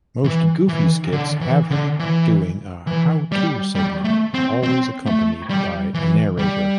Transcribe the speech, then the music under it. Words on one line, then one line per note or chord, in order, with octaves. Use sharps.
Most Goofy skits have him doing a "how-to" segment, always accompanied by a narrator.
E3
E3
D3
E3
D3
E3
E3
G3
G3
A3
C4
C4
A3
G3
E3
G3